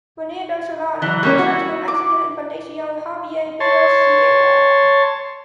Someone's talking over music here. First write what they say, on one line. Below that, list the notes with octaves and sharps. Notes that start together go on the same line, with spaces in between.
Fernando Solana, an exceptional Mexican and Fundación Javier Barros Sierra.
E3 F#3
G3 A#3 C#4 C#5
E4 F#4
D6
C#5 A5 C6